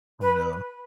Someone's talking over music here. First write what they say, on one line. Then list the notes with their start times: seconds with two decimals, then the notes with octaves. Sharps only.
Oh, no.
0.21 B4